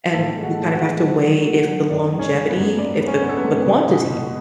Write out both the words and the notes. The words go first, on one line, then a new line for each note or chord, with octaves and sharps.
and, you kinda have to weigh if the longevity, if the q the quantity,
A2 A4 A5
G#3
F#4 F#5
A2
F#4 F#5
G#3
F#3
F#3
A3
F#3
F#2 D4 D5
G#3
C#4 C#5
G#3
B3 B4
F#2
G#2 D4 D5
B3
C#4 C#5
B3
A4
B3 B4
G#2
B2
B2
B2